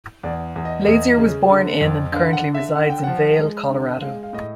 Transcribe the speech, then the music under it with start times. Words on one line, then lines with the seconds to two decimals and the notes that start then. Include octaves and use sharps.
Lazier was born in and currently resides in Vail, Colorado.
0.23 E2 D5
0.56 E2
0.65 D#5
0.86 E2 D#5
1.18 C#3
1.49 D3
1.81 F2
2.12 D3 F5
2.33 F#5
2.44 D3
2.54 E5
2.75 D3 F#5
2.90 G5
3.04 F3 F#5
3.39 G#3
3.69 D3
4.01 G#3 F5
4.23 F5
4.33 A2 D#5